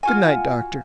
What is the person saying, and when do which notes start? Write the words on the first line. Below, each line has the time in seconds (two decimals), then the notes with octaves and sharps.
Good night, doctor.
0.03 F4 F#4 G#5